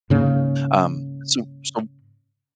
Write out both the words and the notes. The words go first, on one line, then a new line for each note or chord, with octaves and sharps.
Um, so so
G#2 C#3 A#3